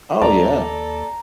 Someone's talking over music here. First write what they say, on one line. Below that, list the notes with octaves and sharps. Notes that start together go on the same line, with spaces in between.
Oh, yeah.
D#2 A4 D5 A#5